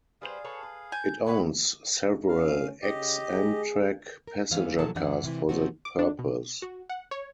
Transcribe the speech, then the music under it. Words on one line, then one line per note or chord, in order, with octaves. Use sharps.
It owns several ex-Amtrak passenger cars for that purpose.
G3 G#4 B4 C5 F5
A4 B4 C#5
B4
G#5 G6
C3 B4 C#5 F#5 B5
C#4 F5
C#3 G4 D#5
G#4
A#4
F#2 E3 G3 B3 C#4 F5
B2 F3 F#3 A#3 A4 A5
F#2 E3 D4 F#5
C3 E3 E4
C3 F3 C4 D#4 F#4
D6
D4
B2
F#4
F#5
C#5